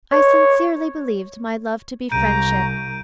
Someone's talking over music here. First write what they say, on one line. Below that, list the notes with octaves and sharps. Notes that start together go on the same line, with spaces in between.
I sincerely believed my love to be friendship.
C#5
C2 A#5 G6 D7 D#7